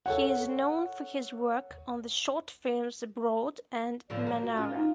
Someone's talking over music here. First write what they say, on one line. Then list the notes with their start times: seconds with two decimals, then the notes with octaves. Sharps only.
He is known for his work on the short films "Abroad" and "Manara".
0.06 A4 C#5 F#5
4.10 A2 D3 F3 D5
4.27 A#3
4.41 F#4
4.57 C#4 F4
4.75 D#4